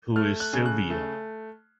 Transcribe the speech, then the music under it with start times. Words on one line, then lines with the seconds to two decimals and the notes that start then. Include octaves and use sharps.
Who Is Sylvia?
0.16 A3 F6
0.40 F#6
0.53 C#3
0.66 F#6
0.90 A3